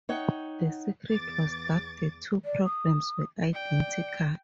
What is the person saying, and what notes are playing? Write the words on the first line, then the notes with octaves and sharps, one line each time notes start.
The secret was that the two programs were identical.
D#4 C#5 F#5 G5
E2 D6 A6
D5
D#6
D5 G5